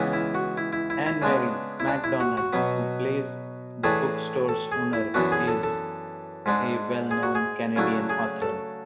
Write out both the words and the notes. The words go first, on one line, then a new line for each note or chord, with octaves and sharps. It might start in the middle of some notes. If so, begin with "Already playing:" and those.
Ann-Marie MacDonald, who plays the bookstore's owner, is a well-known Canadian author.
Already playing: C#2 C#3 E3 B3
E4
F#4
E4
E4
E4
E4
C#3 G#3 B3 D4
E4
D4
E4
F#4
F#4
B2 F#3 B3
A2 E3 A3 D4 G#4
A4
G#4
E4
F#2 E3 B3 D4 F#4
G#4
A4
A4
G#2 G#3 D4
G#4
F#4
G#4
C#3 F#3 A3 D4 E4
G#4
A4